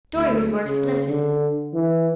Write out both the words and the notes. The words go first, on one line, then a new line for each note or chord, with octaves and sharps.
Dorry was more explicit.
D2
C#3
D3
E3